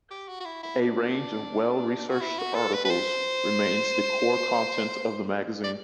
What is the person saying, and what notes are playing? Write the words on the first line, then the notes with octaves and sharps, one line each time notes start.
A range of well-researched articles remains the core content of the magazine.
G4
F#4
F#4
E4
E4
D4
F#4
E4
F#4
A4
B4
B4
C5
D5